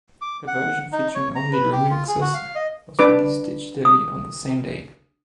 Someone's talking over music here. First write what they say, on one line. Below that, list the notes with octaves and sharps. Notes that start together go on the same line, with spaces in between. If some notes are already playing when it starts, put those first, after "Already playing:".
A version featuring only the remixes was released digitally on the same day.
D6
F#5
D#4
C#5
A#5
B4
G4
F4
G#4
F#4
F5
D#5
D4 B4 D6
D#6